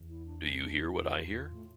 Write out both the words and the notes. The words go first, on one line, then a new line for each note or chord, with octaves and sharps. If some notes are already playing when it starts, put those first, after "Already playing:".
Do You Hear What I Hear?
Already playing: E2
E4
D4
C#4
D4
E4
F4
E4
F4
F4
A2